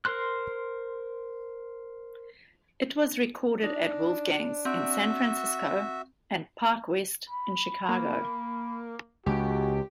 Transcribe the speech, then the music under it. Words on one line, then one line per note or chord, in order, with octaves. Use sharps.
It was recorded at Wolfgang's in San Francisco and Park West in Chicago.
A#4 C5 C6 F#6
D4 D#4
C4 F#4 E5
B5
A#3
C#2 F#4 G4